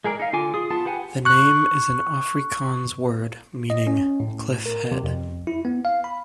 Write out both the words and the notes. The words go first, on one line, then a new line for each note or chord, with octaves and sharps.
The name is an Afrikaans word meaning cliff head.
G#3 G#4 A#4 D5
D#4 F5
D3 F4 G#5 D6
F4 G#4 D#6
B3 F4 A5
G4 B4 F#5 G#5
C#6 F#6
D#5
C#4
A2
A#4
C3
F2
E4
B3
F5
B5